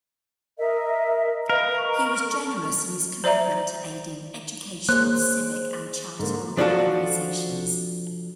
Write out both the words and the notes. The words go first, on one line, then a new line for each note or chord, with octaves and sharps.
He was generous in his commitment to aiding educational, civic and charitable organizations.
A#4 D#5 E5
A#4 B4 D#5 F5
C#6
A4 C#6
C5 D5 E5 A#5
G#3 A#3 C5 C#5 F#6
G#2 D3 A#3
F3 D4 F4 F#4 A4